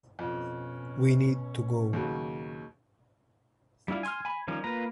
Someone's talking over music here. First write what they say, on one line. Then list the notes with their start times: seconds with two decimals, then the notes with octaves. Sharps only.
We need to go.
0.19 F2 B2 C#4
1.93 D#2 C#3 F#3
3.88 G3 D4 E4 F4
4.03 G#5 C6 F6
4.25 G#5 B5
4.48 D#3 F3 G3 C#4
4.64 A#3 F4 B4 A#5